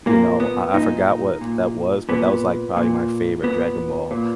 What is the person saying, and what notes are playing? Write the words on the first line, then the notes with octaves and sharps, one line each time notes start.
you know, I I forgot what that was, but that was, like, probably my favorite Dragon Ball,
A#2 A#3
B3
A#2 D#4
A#2
A#2 B3
A#2
A#2 B3
A#2